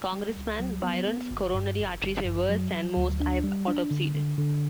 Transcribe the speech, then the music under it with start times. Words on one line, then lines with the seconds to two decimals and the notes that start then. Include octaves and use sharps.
"Congressman Byron's coronary arteries were worse than most I've autopsied."
0.12 G3
0.37 C#2
0.60 F#3
0.83 B3
1.07 B3
1.31 G1
1.55 G2
1.79 G1
2.02 G1
2.25 F#2
2.50 F#3
2.72 F#3
2.97 D2
3.20 D4
3.44 G3
3.68 D4
3.91 D3
4.15 D3
4.38 D3